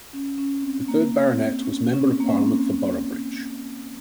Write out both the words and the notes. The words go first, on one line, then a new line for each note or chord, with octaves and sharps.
The third Baronet was Member of Parliament for Boroughbridge.
C#4
C#4
C4
A#3
C4
C#4
C#4
C4
A#3
C#4
C4